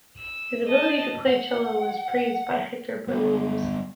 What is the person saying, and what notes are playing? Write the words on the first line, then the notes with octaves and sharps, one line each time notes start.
His ability to play cello was praised by Hector Berlioz.
E6
D#5 A5
F#5
G3 B3